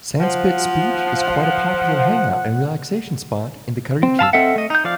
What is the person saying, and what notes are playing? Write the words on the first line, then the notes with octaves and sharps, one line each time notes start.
Sandspit beach is quite a popular hangout and relaxation spot in Karachi.
F3 F#5
C4
F5 A5 B5 E6
C4 A4 D#5 E5 F#5
A3 D#5
D#4 G6
F3 D5 F5